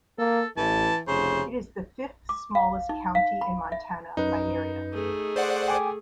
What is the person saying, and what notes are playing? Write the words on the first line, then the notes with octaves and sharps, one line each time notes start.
It is the fifth-smallest county in Montana by area.
A#3 A4
A1 E3 A5
F1 C#3 C5
D6
F5
D#4
F5
B5
E5
F#2 D#4 B4
A3 G#4
C5 D5 F#5
G5 G#5 D6